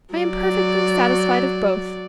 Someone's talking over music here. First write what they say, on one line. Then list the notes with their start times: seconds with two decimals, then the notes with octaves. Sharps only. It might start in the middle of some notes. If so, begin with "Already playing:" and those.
"I am perfectly satisfied of both."
0.14 F#3 D5